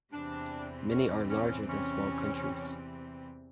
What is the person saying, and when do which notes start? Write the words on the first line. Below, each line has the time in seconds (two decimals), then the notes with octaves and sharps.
Many are larger than small countries.
0.13 E2 C3 E3 G3 C4 D4
0.91 C#4
1.30 C#4
1.69 C#4